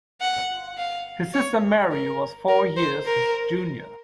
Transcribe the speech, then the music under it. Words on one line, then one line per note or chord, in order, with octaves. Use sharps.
His sister Mary was four years his junior.
F#5
F5
C#5
A#4
A#4
C5
A#4